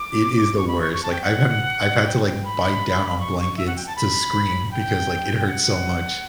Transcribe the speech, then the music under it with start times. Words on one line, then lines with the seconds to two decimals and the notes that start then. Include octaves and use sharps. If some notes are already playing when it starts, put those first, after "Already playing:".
It is the worst. Like, I've hadn't I've had to, like, bite down on blankets to scream because, like, it hurt so much.
Already playing: D6
0.56 C#6
0.68 B5
0.81 C#6
0.93 C#6
1.03 A5
1.12 G5
1.22 F#5
2.06 G5
2.26 G5
2.44 B5
3.20 C#6
3.39 C#6
3.57 E5
3.67 F#5
3.76 G5
3.86 A5
3.96 B5
4.71 G5
5.47 F#5